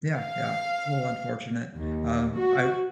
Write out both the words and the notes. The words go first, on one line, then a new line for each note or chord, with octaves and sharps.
Yeah, yeah, it's a little unfortunate, um, I
F5
D#2
F#4